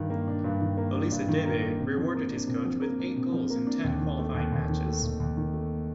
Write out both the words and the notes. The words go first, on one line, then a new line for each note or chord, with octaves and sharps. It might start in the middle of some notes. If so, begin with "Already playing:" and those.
Olisadebe rewarded his coach with eight goals in ten qualifying matches.
Already playing: G2 D#3
A#3
D4
G2
D#3
A#3
D4
G2
D#3
A#3
D4
C3
F3
A#3
D4
C3
F3
A#3
D4
C3
F3
A#3
D4
D#2
D#3
A3
D#2
D#2
D#3
A3
D#2
D#2
D#3
A3